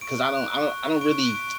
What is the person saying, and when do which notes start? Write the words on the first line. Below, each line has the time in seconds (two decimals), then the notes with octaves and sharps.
'cause I don't I don't I don't really
0.01 C#6 D7
0.18 F#6
0.35 F#6
0.51 C#6
0.68 C#6
0.85 C#6
1.01 C#6 D7
1.17 F#6
1.26 D7
1.35 C#6